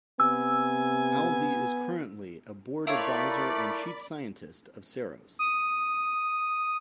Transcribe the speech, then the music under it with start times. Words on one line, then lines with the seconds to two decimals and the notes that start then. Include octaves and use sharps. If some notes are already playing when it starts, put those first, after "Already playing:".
Alvey is currently a board advisor and Chief Scientist of Ceros.
0.20 C3 B3 G#5 E6
2.87 A3 E4 F4 A#4 C#5 D5 B5
5.39 D#6